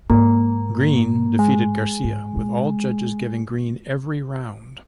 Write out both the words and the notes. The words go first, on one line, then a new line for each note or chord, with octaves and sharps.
Green defeated Garcia with all judges giving Green every round.
G#2 A#3
G#3
G#2
A#2